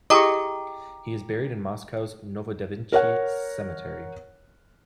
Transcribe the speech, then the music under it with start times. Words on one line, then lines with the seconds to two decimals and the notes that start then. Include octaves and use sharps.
He is buried in Moscow's Novodevichy Cemetery.
0.10 E4 G4 G#4 D#5 G5 A#5 C#6 D6
2.92 A#4 C#5 F#5